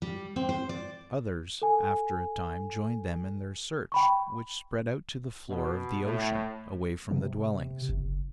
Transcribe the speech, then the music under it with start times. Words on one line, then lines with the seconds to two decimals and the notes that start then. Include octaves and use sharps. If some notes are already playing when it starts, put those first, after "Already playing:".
Others, after a time, joined them in their search, which spread out to the floor of the ocean, away from the dwellings.
0.02 G3
0.36 C4
0.49 C5
0.69 D5
1.62 A4 G#5
3.92 G5 B5 C#6
5.49 B2
6.04 A2
7.11 C3
7.89 F#1